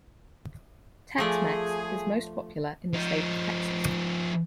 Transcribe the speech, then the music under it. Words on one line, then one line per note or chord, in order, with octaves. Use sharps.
Tex-Mex is most popular in the state of Texas.
F3 A3 G#4 D5
F3 D#4